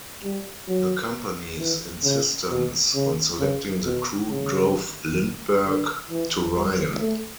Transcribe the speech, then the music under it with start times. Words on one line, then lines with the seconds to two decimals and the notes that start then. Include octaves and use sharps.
The company's insistence on selecting the crew drove Lindbergh to Ryan.
0.24 G3
0.69 F#3
1.59 E3
2.04 C#3
2.50 B2
2.95 C#3
3.40 C#3
3.85 B2
4.30 C#3
5.66 D3
6.11 E3
6.56 G3
7.01 A3